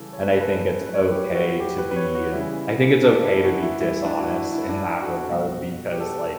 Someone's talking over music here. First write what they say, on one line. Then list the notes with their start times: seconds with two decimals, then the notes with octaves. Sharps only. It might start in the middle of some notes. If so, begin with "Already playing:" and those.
and I think it's okay to be I think it's okay to be dishonest in that regard because, like,
Already playing: C#3 E3 G3 A4
0.13 C#5
0.23 B4
0.32 A4
0.41 B4
0.86 A2 F#3 B4
0.94 C#5
1.01 B4
1.11 G4
1.31 E4
1.35 F#4
1.60 G4
1.78 B4
1.91 B4
1.96 C#5
2.15 F#4
2.33 C#3 E3 G3 E4
3.08 D4
3.25 E4
3.44 F#4
3.62 E4
3.80 A2 E3 G3 E4
4.05 D4
4.19 F#4
4.30 E4
4.54 E4
4.69 D4
4.78 E4
5.02 F#4
5.27 B2 G3
5.92 G4
6.00 A4